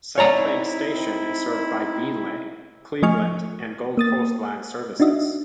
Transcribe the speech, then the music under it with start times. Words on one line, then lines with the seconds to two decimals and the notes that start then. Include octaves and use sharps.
South Bank station is served by Beenleigh, Cleveland and Gold Coast line services.
0.18 C4 D#4 E4 C#5 D5 A#5
3.02 F3 A3 D#5 G#5 C#6 F6
3.97 A#3 D#6 A6
5.00 D4 D#4 F#4 D#5 E5